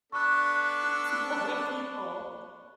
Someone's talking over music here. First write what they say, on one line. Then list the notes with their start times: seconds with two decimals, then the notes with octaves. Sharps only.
That's a lotta people.
0.12 B3 D4 A4 C#6 F#6